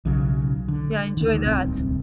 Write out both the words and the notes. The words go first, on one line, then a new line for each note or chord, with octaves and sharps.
Yeah, I enjoy that.
B1 C#3 F#3
D3
D2 D#3
D1 C2 C4